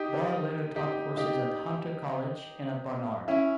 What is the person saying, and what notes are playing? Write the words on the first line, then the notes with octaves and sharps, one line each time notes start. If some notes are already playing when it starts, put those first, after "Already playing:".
Barr later taught courses at Hunter College and at Barnard.
Already playing: D#4 G4
D#4 G4
D#4 G4
C#4 E4